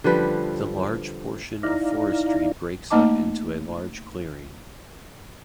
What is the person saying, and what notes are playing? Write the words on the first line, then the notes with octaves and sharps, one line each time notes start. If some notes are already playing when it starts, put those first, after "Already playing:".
The large portion of forestry breaks up into a large clearing.
D3 F3 G3 B4
D#4 E4 D5 F5 A#5
A3 A#3 D#4 D#5 A5 D6